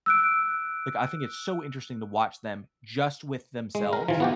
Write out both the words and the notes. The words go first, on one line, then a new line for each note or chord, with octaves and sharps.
like, I think it's so interesting to watch them just with themselves
E6 F#6 D7
G#3
A#4
E3 F3
B3 F#4 G4